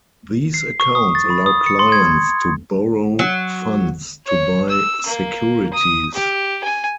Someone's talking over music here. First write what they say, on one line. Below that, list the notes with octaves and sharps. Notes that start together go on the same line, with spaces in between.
These accounts allow clients to borrow funds to buy securities.
C7
C#6
D#6
A6
B5
D#6
C#7
C6
G#6
F#3
C#5
E6
A#3
D#6
G4
G#5